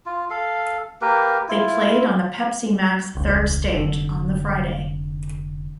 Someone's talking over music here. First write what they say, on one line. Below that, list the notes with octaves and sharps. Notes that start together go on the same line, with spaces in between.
They played on the Pepsi Max third stage on the Friday.
F4
A4 F5
A#3 G4 A#4 B4
E4 F4
E1 C#2
F1 D3